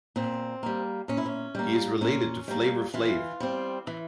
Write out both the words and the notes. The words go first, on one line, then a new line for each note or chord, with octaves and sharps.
He is related to Flavor Flav.
A#2 C4
G3 A#3
A#2 C#4
E4
C#4
G3 A#3
A#2 C#4
G3 A#3
E3 F4
G3 C4
E3